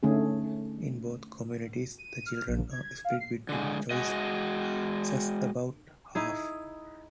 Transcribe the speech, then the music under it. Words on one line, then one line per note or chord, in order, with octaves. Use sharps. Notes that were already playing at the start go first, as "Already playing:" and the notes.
In both communities, the children are split between choices about half.
D3 A3 C#4 D#4 G#4
D#7
F6
A#1
G#6
F5
C7
D3 G#3
G#3 F#4 D#5
D#4 E4 G#4